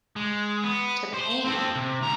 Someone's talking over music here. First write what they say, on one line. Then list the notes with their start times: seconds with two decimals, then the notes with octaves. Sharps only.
to pain.
0.16 G#3
0.64 B3
1.14 C5
1.45 C4 A4
1.76 C3
2.01 D2 A#5